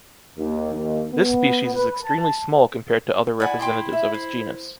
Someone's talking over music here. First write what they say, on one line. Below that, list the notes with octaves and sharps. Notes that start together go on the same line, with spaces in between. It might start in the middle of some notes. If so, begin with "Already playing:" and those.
This species is extremely small compared to other representatives of its genus.
D#2
D#2
B3
B4
A5
E4 D5 F#5 G#5
G5 C6 D6
E5
C5